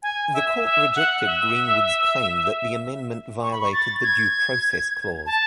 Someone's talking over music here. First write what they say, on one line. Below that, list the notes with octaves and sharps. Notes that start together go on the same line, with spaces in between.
The Court rejected Greenwood's claim that the amendment violated the Due Process Clause.
G#5
E5
E5
F#5
E5
C#6
B5
C#6
A6
G#6
A5